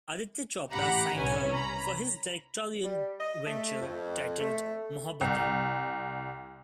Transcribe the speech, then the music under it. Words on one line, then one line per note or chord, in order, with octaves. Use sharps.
Aditya Chopra signed her for his directorial venture titled "Mohabbatein".
A1 G4 F#5 A#5 B5
C2 E3 C#4 G#5
A#5 B5
G3
D#5
A3
F2
A3
C2